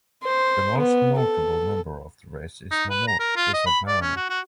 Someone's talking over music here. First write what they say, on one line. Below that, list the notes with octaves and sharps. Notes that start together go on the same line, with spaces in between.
The most notable member of the race is Namor the Sub-Mariner.
C5
B3
A4
D#4
B4
A#5
A#4
F4
D#5
B5
D5
C#4
F#4
F#4